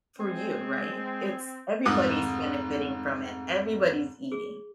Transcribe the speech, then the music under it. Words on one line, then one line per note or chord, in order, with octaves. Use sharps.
for you, right? It's everybody's benefiting from it, everybody's eating.
G#3 C4 G#4
F1 G#2 D6 D#6 F#6
G#4